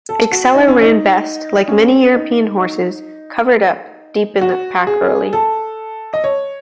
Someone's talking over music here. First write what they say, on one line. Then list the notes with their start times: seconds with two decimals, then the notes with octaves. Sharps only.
Exceller ran best, like many European horses, "covered up"-deep in the pack early.
0.09 A4
0.31 F#4
0.54 D#4
0.68 C#4
0.82 D#4
1.68 C#4
2.14 D#4
2.59 D#4
4.41 F#4
4.87 G#4
5.33 A4
6.13 D#5
6.24 C#5